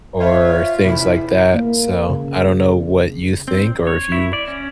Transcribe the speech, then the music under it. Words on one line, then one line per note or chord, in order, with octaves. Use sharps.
or things like that. So I don't know what you think or if you
F4 C5 C#5 E5
E2 A2 C3 E4 B5
A#3
C#3
C4
C#5
E4
D5
C#4